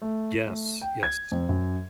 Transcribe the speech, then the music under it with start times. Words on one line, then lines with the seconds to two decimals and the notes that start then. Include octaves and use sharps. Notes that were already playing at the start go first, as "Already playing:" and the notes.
Yes, yes.
0.02 A3
0.46 A3
0.81 G5
1.03 G#6
1.32 F2
1.49 F#2